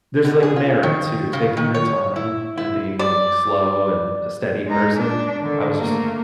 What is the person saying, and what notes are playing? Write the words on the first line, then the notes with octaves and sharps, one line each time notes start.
there's, like, merit to taking your time and being slow and a steady person. I was just
B2
G#4
F4
D#3
C#3
D#3
C#5
E4
E4
D5
G#3 D#4
D4
D3 D#3
A3 A#3